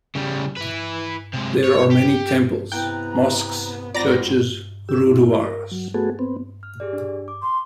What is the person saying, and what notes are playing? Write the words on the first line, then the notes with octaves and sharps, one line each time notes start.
There are many temples, mosques, churches, guruduwaras.
C#3 G3
E4 B4
C3 G#3
C#5
G4
C3 B3 E4 G5 A#5 F#6
G#1 C4 F4 D5 F#5 A#5 A#6
G4 E6
E4
A#4
F#3
A3 B3 F#4 G#4 A4
B3 C4
F6
G4 G#4 D5
D4
D6
C6